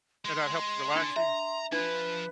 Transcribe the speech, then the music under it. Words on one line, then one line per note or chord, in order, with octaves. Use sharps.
And that helps relax you?
G#3 C6
D4 A4 D5
E5 A#5
F3 D4 F4 B4